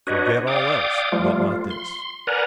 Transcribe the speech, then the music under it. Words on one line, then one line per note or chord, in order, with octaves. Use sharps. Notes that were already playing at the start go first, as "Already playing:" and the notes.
Forget all else, but not this.
D4 F#4 B4 C#5 D#5
D5 F5 G5 D6 D#6
F3 G3 A3 F4
F4
C6
A#4 B4 D5 F#5 G#5 A#5